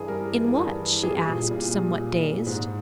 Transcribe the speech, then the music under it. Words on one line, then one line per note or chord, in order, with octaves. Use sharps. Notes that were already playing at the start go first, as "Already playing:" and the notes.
"In what?" she asked, somewhat dazed.
Already playing: G2 E3 G#4
G3 A#4
E3
G2
E3
G3 G#4
A#2
A#2
G3
A#2
A#2
G#2